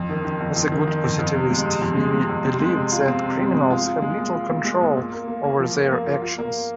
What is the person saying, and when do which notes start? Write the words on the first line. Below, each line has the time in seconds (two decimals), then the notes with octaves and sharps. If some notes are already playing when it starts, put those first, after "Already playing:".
As a good positivist, he believed that criminals have little control over their actions.
Already playing: F2
0.09 D#3
0.25 D#3
0.41 F2
0.56 F2
0.72 D#3
0.87 D#3
1.04 F2
1.19 F2
1.35 C3
1.51 G#3
1.66 C3
1.82 F2
1.97 G#3
2.13 G#3
2.30 F2
2.45 C4
2.60 G#3
2.76 C3
2.92 F4
3.08 C4
3.24 C3
3.39 C4
3.55 G#3
3.70 F4
3.86 F4
4.02 G#3
4.18 A#2
4.33 F4
4.49 A#2
4.65 G#3
4.81 A#2
4.97 A#2
5.13 A#3
5.28 A#3
5.44 A#3
5.59 F3
5.75 A#3
5.91 A#3
6.06 F4
6.22 F4
6.38 A#3